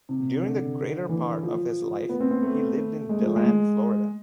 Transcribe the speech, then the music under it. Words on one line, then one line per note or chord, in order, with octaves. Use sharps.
During the greater part of his life he lived in DeLand, Florida.
C3
D3
E3
F3
B3
C4
C4
A3
G#3
F3
G#3